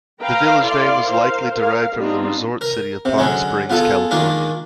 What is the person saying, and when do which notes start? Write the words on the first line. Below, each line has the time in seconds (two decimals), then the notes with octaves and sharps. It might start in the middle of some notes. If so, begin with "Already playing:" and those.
The village name was likely derived from the resort city of Palm Springs, California.
0.21 B4 F5 G5 A#5
0.61 E4 A4 D5 F5 C6
1.04 A#4 C5 F5
1.54 A#4 F5
1.96 G3 B3 C4 D4 D#4 F4
2.61 A#4
3.05 C3
3.18 D3 F#3 G#3 C#4
3.70 B3 F4 G#4 A4
4.11 D#3 G#3 A#3 D4 F4